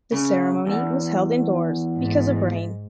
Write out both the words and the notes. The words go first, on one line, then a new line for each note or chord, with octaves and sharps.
The ceremony was held indoors because of rain.
C#3
E2
G#2